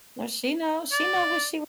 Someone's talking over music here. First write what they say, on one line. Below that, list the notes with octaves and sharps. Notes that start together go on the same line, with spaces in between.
Well, she know she know what she
D5